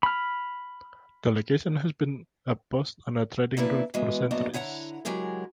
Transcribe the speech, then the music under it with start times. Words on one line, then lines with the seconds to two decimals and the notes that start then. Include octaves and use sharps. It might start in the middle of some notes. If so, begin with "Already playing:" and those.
The location has been a post on a trading route for centuries.
0.03 B5 F6
3.57 A#3 D4 E4 B4
3.94 E3 F#3 G#3 B3
4.31 F#2 A#3 B3 D4 F#4 D#5
4.54 D3 E4 C#5 F#5 A#5
5.05 C#3 F#3 G#3 G4 G#4 A#4